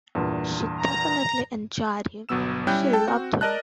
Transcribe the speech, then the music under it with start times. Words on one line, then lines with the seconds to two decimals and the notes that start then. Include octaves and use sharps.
She definitely enjoyed him — she loved him.
0.15 E2 G2 A#2
0.78 A#5
2.29 G1 B2 F#3 B3 E6 E7
2.67 G3 C#4 E4 G5 F#6 G6
2.93 A4 G5 A5
3.07 C4 F#4
3.41 A#4 D5 D#5 A5 F#6